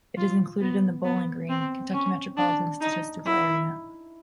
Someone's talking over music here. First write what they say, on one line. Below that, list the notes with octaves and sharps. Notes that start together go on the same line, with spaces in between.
It is included in the Bowling Green, Kentucky Metropolitan Statistical Area.
F4
B3
B3
C4
C#4
D4
D#4
E4